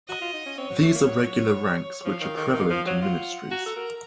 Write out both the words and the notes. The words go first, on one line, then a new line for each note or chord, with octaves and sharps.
These are regular ranks which are prevalent in ministries.
F#4 D#5
F4
D#4
C#4
C4 C#5
F#3
A3
A#3
F#3
F3 F5
D#3
D#3
D#3 F5
F3
F#3
F4 F#5
F#4 A#5
A4
A#4